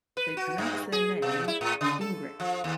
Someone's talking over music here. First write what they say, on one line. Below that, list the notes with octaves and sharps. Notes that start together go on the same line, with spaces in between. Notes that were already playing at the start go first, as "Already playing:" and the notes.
They pronounce their name "Gingrick".
B4
F#4
G2
G#4
B2
E4
A2
C#3
A4
F3
D#2